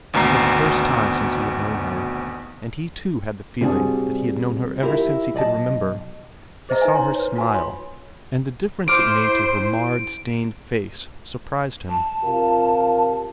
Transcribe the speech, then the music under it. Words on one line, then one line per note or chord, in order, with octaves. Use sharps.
For the first time since he had known her--and he too had the feeling that he had known her ever since he could remember--he saw her smile, and the difference it made to her marred, stained face surprised him.
G#1 D2 B2 A#5 C7
C3 G3 D4 F#4 G#4
E4 F4 G4 A#4 E5
B1 D5 D#5 A5
G#4 C5 D#5 E5 A#5 E6
D#4 E4 B4 E5 G#5
C#5 A#5 C6
B4 C#5
F4 F#4 A4 G#5
C#5 B5 C6
E4 C5 D6 F6 D7
A5
C3 F4 A#4